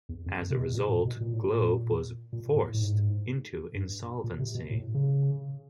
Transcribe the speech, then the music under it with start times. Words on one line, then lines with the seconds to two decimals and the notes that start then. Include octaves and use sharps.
As a result Globe was forced into insolvency.
0.09 E2
0.26 F2
0.41 F2
0.50 C3
0.57 B2
0.74 A#2
0.89 A2
1.05 B2
1.21 A#2
1.34 A2
1.46 A#2
2.33 A#2
2.56 A2
2.74 A2
2.80 G#2
3.75 G2
4.24 A#2
4.39 C3
4.55 B2
4.71 A2
4.94 C#3